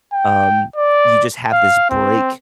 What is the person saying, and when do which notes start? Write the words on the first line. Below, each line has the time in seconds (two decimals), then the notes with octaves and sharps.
um, you just have this break
0.13 G5
0.76 D5
1.52 F5
1.90 C4